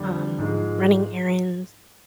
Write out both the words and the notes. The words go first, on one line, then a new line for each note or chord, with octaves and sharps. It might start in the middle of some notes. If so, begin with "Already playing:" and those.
Um, running errands
Already playing: F2 D3 G3
G#2 F3 G#3